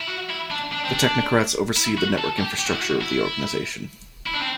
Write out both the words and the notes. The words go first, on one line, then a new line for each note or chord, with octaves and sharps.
The Technocrats oversee the network infrastructure of the organization.
E4
F#4
E4
D4
D4
C4
D4
E4
F#4
A4
G4
G4
F#4
E4
F#4
E4
E4
D4
C4